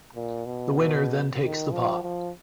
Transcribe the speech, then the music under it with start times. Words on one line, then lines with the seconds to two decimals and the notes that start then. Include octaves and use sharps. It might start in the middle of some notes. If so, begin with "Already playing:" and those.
The winner then takes the pot.
0.15 A#2
0.46 B2
1.40 D#3
1.72 F3
2.03 F3